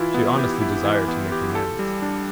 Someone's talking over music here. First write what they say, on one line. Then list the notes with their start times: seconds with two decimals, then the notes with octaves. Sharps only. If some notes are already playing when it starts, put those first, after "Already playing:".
She honestly desired to make amends.
Already playing: E3 E4 F4
0.14 B3
0.38 G4
0.61 E4
0.85 E3
1.08 B3
1.32 G4
1.55 A4
1.79 G3
2.02 D4